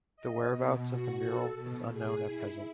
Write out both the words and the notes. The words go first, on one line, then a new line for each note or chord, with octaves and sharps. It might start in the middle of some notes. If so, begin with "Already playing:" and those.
The whereabouts of the mural is unknown at present.
D#5
B2
F#4
A4
B2
G#4
E4